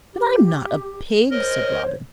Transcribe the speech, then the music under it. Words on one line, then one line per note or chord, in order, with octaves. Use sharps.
"But I'm not a pig," said Robin.
G4
A#4 C5 C#5 D#5